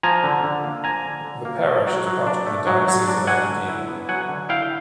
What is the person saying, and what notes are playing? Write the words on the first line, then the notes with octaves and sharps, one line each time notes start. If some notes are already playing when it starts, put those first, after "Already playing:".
The Parish is part of the Diocese of Aberdeen.
F3 G#5 A#5
D3
D3
A#3
F3 G#5 A#5
D3
D3
A#3
A3
F#3
F#3
D4
A3
F#3
F#3
D4
F#3 F#5 G#5
D3
E4
B3
F#3 F#5 G#5
D3
E4 F5 G5